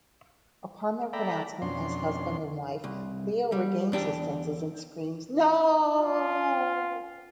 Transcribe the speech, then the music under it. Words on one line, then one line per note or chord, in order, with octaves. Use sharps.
Upon their pronouncement as husband and wife, Leo regains his senses and screams, No!
A4 D5 E5 G5 A#5 B5
F2 B2 C#4 D4 C6
C2
G3
E2 D4 G4
F4